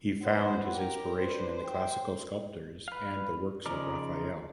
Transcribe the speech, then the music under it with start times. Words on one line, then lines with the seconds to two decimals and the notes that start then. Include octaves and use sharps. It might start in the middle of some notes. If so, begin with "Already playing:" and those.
He found his inspiration in the Classical sculptors and the works of Raphael.
0.23 B3 E4 C5 C#5 F#5
0.72 G4 A#4
1.20 D4 B4 C5
1.65 G5
2.88 B4 F5
3.66 C#3 F3 D#4 A#4 D5